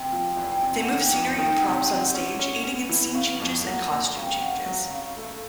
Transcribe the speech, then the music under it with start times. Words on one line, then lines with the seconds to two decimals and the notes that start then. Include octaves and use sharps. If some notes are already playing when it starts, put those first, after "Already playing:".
They move scenery and props on stage, aiding in scene changes and costume changes.
Already playing: C3 G5
0.12 F3
0.37 E2
0.52 G5
0.62 C3 G#5
0.82 F#5
0.89 D#3
1.01 G5
1.13 F2
1.38 D#3 G5
1.49 G5
1.58 F#5
1.64 C3
1.76 G5
1.89 C3
1.95 F#5
2.15 C#4
2.39 C#4
2.64 C#4
2.89 E3
3.15 C#3
3.40 F2
3.66 F#3 F#5
3.84 F#5
3.90 A#3
4.04 G#5
4.16 C#3
4.22 G5
4.32 F5
4.41 C#3 F#5
4.66 F#3
4.79 F5
4.91 C#3
5.17 A3